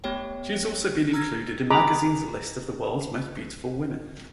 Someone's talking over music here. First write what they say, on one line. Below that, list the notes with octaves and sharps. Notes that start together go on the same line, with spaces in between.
She has also been included in magazines' lists of the world's most beautiful women.
A3 B3 G4 C#5 G5
A#5 E6 F6 G#6 A#6
G#4 D#5 A#5 B5 D6